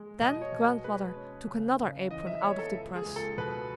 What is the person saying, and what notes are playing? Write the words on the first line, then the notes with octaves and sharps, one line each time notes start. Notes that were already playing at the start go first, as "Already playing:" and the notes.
Then Grandmother took another apron out of the press.
Already playing: G#3
B2 D#5
C#5
B2
G#3 B4
C#4
C#3
C#3
E3 D#5
E5
B3 C#5
A4
C#2
G#4
C#2
A4
B2 B4